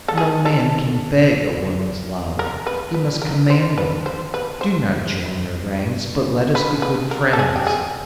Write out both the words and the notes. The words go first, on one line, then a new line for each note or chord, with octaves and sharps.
No man can beg a woman's love; he must command it; do not join their ranks, but let us be good friends.
A4
G#4
A4
A#4
B4
B4
A#4
C5
B4
C5
B4
C5
B4
B4
A#4
A4
G#4
G4
G#4